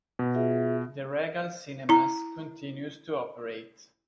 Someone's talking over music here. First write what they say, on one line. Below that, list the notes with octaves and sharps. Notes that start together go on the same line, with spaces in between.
The Regal Cinemas continues to operate.
B2
F4 G#4 E5
E4 A#5